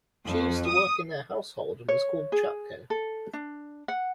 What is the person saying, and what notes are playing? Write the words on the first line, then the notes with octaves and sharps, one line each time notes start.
She used to work in their household and was called Chapko.
F2
D#6
C#5
G#4
A4
D4
F#5